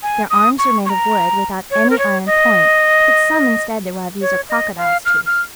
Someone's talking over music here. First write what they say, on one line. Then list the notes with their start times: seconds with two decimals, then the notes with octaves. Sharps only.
Their arms are made of wood, without any iron point; but some instead thereof use a crocodile's tooth.
0.03 G#5
0.30 D#6
0.59 C#6
0.86 C#6
0.90 A#5
1.71 C#5
1.90 A#4
1.98 C#5
2.26 D#5
4.21 C#5
4.49 D#5
4.78 F5
5.05 F6
5.26 F6